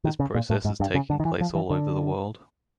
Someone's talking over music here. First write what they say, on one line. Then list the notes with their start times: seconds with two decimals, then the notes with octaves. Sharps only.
This process is taking place all over the world.
0.04 D#3
0.20 C#3
0.35 A#2
0.50 A2
0.65 G#2
0.80 G2
0.95 C#3
1.10 D3
1.20 D#3
1.25 E3
1.40 F3
1.55 E3
1.70 D3